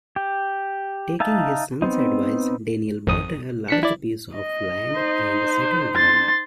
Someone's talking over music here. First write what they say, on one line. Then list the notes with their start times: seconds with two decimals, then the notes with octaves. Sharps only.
Taking his son's advice, Daniel bought a large piece of land and settled down.
0.16 G4
1.20 D#4 E5 F5 A5
1.82 B3 C4 D#4
3.07 G#1 F2 D#6
3.68 D4 B6 C#7
3.83 E4 D5
4.35 D#5
4.92 D#4 C5
5.96 C6 A6